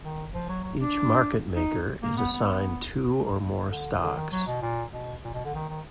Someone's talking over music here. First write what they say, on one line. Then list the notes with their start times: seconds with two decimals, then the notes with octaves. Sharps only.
Each market maker is assigned two or more stocks.
0.04 D#3
0.34 F3
0.49 F#3
0.64 F#3
0.79 D4
1.56 D#4
2.03 A#3
2.17 B3
2.32 B3
3.71 D3
4.02 D3
4.16 D#3
4.32 F#3
4.47 B2
4.62 A#2
4.93 B2
5.25 A#2
5.34 B2
5.45 D3
5.55 D#3
5.69 D#3